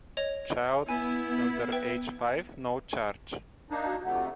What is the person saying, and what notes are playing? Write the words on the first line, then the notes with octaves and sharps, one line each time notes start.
Child under age five: no charge.
C#5 D#5 F7
B3 E4 G#5
B4 G5
A#3 D4 D#4
F#4
F2 C3 A3 F#5